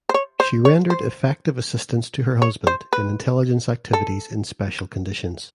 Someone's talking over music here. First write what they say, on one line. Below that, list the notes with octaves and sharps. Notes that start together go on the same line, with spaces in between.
She rendered effective assistance to her husband in intelligence activities in special conditions.
C5
C#5
C5
C#5
C5
C#5
C5
B4
A4